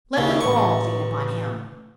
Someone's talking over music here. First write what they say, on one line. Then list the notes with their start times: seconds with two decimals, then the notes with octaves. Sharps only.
Let them all lean upon him.
0.17 D#2 C#3
0.41 A1 C#6